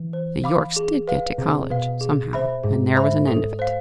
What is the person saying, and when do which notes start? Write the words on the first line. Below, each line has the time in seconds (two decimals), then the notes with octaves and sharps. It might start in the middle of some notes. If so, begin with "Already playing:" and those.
The Yorkes did get to college, somehow, and there was an end of it.
Already playing: E3
0.13 C5
0.44 F5 B5 D6
0.76 G#4
1.08 B4 F5
1.38 C3 G#4
1.70 B2 B4 F5
2.01 G#4
2.33 C5 E5 B5
2.64 G#2 G#4
2.96 C5 E5 B5
3.28 A4
3.59 C5 F5